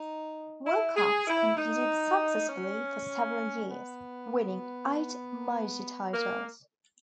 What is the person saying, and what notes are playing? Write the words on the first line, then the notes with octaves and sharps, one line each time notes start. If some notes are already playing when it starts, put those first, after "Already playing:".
Willcox competed successfully for several years, winning eight major titles.
Already playing: D#4
E4
G#4
E4
D#4
C#4
B3
A#3